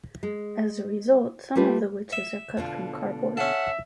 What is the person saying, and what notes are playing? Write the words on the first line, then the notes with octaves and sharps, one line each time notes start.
As a result, some of the witches are cut from cardboard.
G#3
G3 A3 F4 G4 B4
E5
B2 D3 F4
C#4 A4 E5 F#5